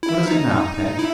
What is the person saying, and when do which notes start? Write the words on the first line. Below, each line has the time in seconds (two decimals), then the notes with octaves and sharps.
What is it now, Peg?'
0.03 E4
0.27 D#4
0.99 E4